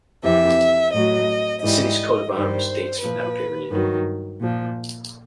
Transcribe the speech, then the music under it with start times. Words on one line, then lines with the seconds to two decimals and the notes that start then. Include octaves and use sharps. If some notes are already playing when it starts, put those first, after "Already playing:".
The city's coat of arms dates from that period.
0.23 F2 C3 E3 E5
0.92 A2 F#3 D#5
1.62 G#2 E3 G3 D#5
2.32 G2 D#3 G3 C5
3.01 A#2 F3 B4
3.70 G2 D#3 F#3
4.40 A#2 F3